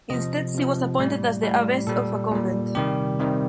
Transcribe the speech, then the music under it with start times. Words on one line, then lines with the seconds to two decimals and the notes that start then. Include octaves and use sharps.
Instead she was appointed as the abbess of a convent.
0.10 C3 F3 D#5
0.54 C3 F3
0.99 A2 G3
1.43 A2 G3
1.87 A#2 G3 A4
2.31 A#2 G3
2.75 C3 D#3 G3 G4
3.19 C3 D#3 G3